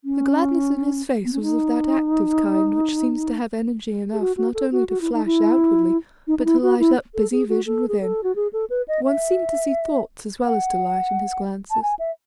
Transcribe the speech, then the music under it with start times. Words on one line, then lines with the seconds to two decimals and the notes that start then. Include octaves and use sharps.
The gladness in his face was of that active kind which seems to have energy enough not only to flash outwardly, but to light up busy vision within: one seemed to see thoughts, as well as delight, in his glances.
0.04 C#4
1.24 B3
1.33 C#4
1.42 D#4
4.13 G#4
4.20 F#4
4.37 F#4
4.54 A4
4.72 F#4
4.89 F#4
5.01 E4
5.13 D#4
5.25 E4
6.27 D#4
6.39 D#4
6.45 E4
6.62 F#4
6.80 E4
7.15 A4
7.32 G#4
7.49 F#4
7.66 A4
7.88 G#4
8.01 A4
8.24 F#4
8.36 G#4
8.53 A4
8.70 B4
8.88 D#5
9.05 E5
10.44 F#5
11.71 A5
11.83 G#5
11.99 E5